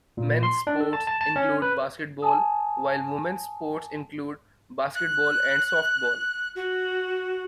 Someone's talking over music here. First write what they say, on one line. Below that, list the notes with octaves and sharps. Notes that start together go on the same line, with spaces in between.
Men's sports include baseball, while women's sports include basketball and softball.
A#2
C6
D4
A4
A5
A5
A5
C#4
B4
G#5 A5 D#6
F#6
F#4